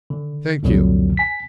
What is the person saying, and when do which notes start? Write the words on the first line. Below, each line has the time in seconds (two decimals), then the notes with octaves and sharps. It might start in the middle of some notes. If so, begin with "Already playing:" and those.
Thank you.
0.10 D3
0.63 C2 F2 A#2 D3 F#3
1.17 G#5 B6